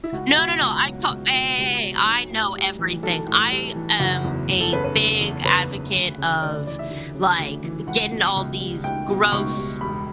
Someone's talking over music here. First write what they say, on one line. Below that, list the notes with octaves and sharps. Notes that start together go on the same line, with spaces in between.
No, no, no, I tot hey, hey, hey, hey, I know everything, I am a big advocate of, like, getting all these gross
E4
C#2 F#4
B2 F#4
C#2
F#3
C#2
B2
C#2 G4
F#3
B1
A2
G3
E3
B1 A4
A2
G3
E3
F#1 F#4
E2
F#1
A4
C#3 B4
B4
F#1
E2
F#1 B4
C#3
D2
C#3
D2 D5
D5
E3 D5
E5
D2
C#3
D2
E3
C#2 F#5
B2
C#2
G3
C#2 G5
B2
C#2 C#6
G3
E1 B5